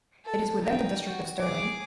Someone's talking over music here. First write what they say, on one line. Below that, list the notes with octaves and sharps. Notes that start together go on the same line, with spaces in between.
It is within the district of Stirling.
A4
D#4 G5
F#4
G#4 D6